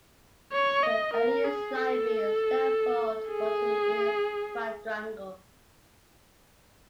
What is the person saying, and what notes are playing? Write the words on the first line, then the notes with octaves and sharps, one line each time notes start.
The earliest library at Stanford was in the inner quadrangle.
C#5
D#5
A#4
G#4
A4
G#4